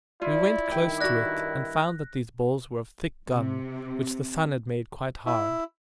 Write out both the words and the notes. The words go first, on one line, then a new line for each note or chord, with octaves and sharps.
We went close to it, and found that these balls were of thick gum, which the sun had made quite hard.
E4 F4 D5
G2 D#3 G5
F#4 D5 F#6 A#6
C3
E4